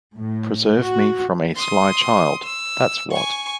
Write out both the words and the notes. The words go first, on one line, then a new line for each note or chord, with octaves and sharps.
Preserve me from a sly child, that’s what.
A2
F#4
C6 D#6
E6
G#5 C#6